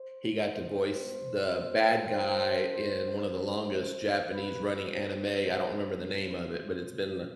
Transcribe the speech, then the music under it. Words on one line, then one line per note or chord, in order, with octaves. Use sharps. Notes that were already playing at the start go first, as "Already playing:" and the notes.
he got to voice the bad guy in one of the longest Japanese running anime. I don't remember the name of it, but it's been the
Already playing: C5
A2 E3
B2
B2
A2 E3 C5
A2 E3
A2 E3 C5
A2 E3
B2 B4
B2 C5
B2 C5
B2 C5
A2 E3